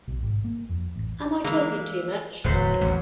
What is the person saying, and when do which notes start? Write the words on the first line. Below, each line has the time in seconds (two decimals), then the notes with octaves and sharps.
Am I talking too much?
0.08 B1
0.23 G#1
0.44 A#3
0.69 F2
0.96 A1
1.44 E3 G#3 A#3
2.44 D1 E2 A2 F#3 B4 C5
2.80 A1 E2